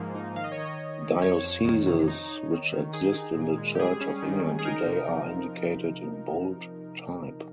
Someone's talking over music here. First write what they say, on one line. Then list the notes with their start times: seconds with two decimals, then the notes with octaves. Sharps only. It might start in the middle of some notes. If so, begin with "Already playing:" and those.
Dioceses which exist in the Church of England today are indicated in bold type.
Already playing: G#2 F3 A#3
0.15 D#4
0.36 D#3 F5
0.44 D#5
0.52 C#5
0.58 D#3 D#5
0.79 D#3
1.01 D#3
1.22 F2 C#5
1.44 F2
1.65 D#3
1.86 C3
2.08 D#4
2.29 D#4
2.51 D#3
2.72 D#3
2.93 D#4 G#4
3.15 D#4
3.37 A#2
3.58 G#3
3.75 G4
3.80 G3 G#4
4.01 C#4
4.23 D#3
4.44 D#3
4.59 G#4
4.65 D#4 A#4
4.87 C3
5.08 F3